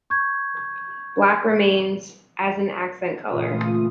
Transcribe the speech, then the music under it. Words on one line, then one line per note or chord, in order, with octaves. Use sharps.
Black remains as an accent color.
C#6 G6 G#6
A#2 C#3 E3 A3 F4 D#6